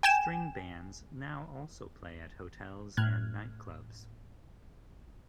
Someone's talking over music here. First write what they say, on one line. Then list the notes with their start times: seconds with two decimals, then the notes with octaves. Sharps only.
String bands now also play at hotels and nightclubs.
0.03 G5 G#5 E7
2.97 A2 F6 F#6 G#6